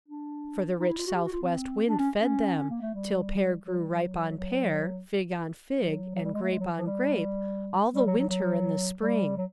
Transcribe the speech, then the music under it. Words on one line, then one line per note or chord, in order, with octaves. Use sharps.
For the rich southwest wind fed them, till pear grew ripe on pear, fig on fig, and grape on grape, all the winter and the spring.
D4
D#4
E4
F4
F#4
G4
F#4
F4
C4
D4
C#4
C#4
C#4
A#3
A3
G3
F#3
G3
F#3
F#3
F#3
F#3
G3
G#3
A3
G#3
F#3
F3
G3
G3
F#3
F#3
F#3
G3
F#3